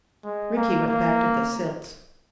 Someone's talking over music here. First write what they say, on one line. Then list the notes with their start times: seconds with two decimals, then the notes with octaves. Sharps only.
Rickie went back to the Silts.
0.24 G#3
0.56 A#3
0.88 A#3